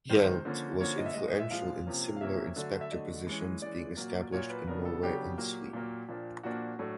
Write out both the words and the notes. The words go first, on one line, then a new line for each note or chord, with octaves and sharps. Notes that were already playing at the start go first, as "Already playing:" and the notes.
Hjelt was influential in similar inspector positions being established in Norway and Sweden.
C3 D#3 G#3 C5
D3 F3 A#3 C#4
D3 F3 A#3 C#4 C#5
D#5
E5
A#2 F3 G#3 D#5
D#5
E5
A#2 F3 G#3 F5
C3 F3 A#3 C#4
F5
C3 F3 A#3 C#4 E5
D3 F#3 A3 D4
E5
D3 F#3 A3 D4 D#5
E3 G#3 C#4
E3 G#3 C#4 D5
A#2 F#3 A#3
A#2 F#3 A#3 C#5
B4
C#3 F#3 B3 D4 A#4
A4
C#3 F#3 B3 D4 G4
A#2 F#3 A#3
A#2 F#3 A#3
A#2 F3 A#3 D4
A#2 F3 A#3 D4 F#4
A2 F#3 A3 D4